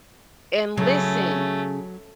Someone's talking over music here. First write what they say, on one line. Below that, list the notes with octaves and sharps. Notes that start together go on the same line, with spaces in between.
And listen,
C#3 F#3 A3 C#4